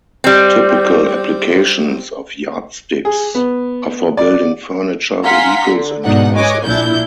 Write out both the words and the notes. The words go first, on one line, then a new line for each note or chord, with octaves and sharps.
Typical applications of yardsticks are for building furniture, vehicles and houses.
G3 C4
G#4
B3
D5
F5 F#5 G#5 A#5 C6 B6
D3
G#2 B2 D4 D#4 F#5
B4 C#5 D#5 G#5 D6
A#1 A#2 D4 E4 G6